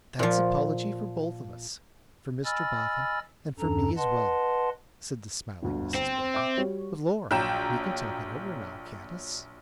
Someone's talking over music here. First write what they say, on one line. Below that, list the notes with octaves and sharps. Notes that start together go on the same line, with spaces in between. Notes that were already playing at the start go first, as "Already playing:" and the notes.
'That's apology for both of us: for Mr Boffin, and for me as well,' said the smiling Mrs Boffin. 'But Lor! we can talk it over now; can't us?'
A#2 F3
D#5 G#5 B5 E6 F6 A6
E2 G2 C#4 D4 A4 A#5
B4 D#5 F#5 A5 C6
G1 D2
C4
C5
E5 D6
G3 F#4 C#5
A#1 F#3 G5 A#5 E7